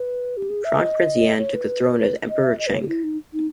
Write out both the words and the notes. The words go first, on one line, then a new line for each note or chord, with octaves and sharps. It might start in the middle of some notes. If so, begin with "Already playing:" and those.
Crown Prince Yan took the throne as Emperor Cheng.
Already playing: B4
G4
G#4
E5
D#5
C#5
B4
B4
D#5
E5
D#5
B4
C#5
G4
E4
D#4
D#4